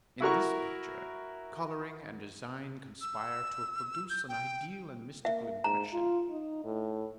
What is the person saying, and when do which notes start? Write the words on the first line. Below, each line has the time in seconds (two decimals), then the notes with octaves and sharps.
In this picture, colouring and design conspire to produce an ideal and mystical impression.
0.20 E4 F#4 A#4 C#6
3.01 E6
4.10 G6
4.29 G5
5.25 A#3 E5
5.64 G#2 A#5
5.93 F4
6.30 D#4
6.65 A2